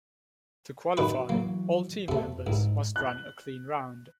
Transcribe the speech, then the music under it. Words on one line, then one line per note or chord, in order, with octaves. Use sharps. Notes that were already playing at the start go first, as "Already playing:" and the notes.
To qualify all team members must run a clean round.
F#2 D#3 B4
E3 F#3 A#3
F2 C3 A3
C2 G#2
F#6